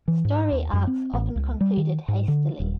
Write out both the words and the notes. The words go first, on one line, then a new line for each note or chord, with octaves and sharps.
Story arcs often concluded hastily.
E3
G#2
D#2
F#2
C4
A1
C#2
G3
D#3
G#2
D3
D#1